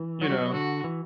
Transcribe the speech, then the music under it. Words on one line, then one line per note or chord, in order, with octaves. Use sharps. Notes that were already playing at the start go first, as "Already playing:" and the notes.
you know.
Already playing: E3
F#3 F#4
G3
F#3
D3 F#4
E3